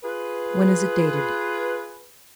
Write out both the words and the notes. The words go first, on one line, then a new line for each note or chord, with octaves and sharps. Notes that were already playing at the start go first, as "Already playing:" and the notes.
When is it dated?
F4 G#4 B4